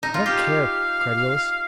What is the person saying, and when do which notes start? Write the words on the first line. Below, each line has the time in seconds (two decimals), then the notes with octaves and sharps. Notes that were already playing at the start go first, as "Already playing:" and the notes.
"I don't care!" cried Willis.
0.03 D#4
0.14 F4
0.26 G4 F5